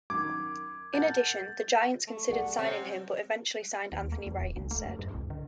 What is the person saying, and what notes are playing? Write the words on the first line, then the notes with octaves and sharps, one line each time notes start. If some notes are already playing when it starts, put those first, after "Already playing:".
In addition, the Giants considered signing him but eventually signed Anthony Wright instead.
F#2 D#3 D6 G#6
A#4 F#5 A5 G6 A6
A3
G#4 D5 F#5
C3 C4 C#4
D#2
A3
E2
D1
C#2
A3
F#2
G2
C2
D3